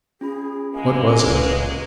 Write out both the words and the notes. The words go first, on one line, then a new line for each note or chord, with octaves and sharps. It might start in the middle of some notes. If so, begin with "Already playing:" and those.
What was it?
C#4 F4 G#4 B5
F#3 G#3 A#3 G#5
C#2 B4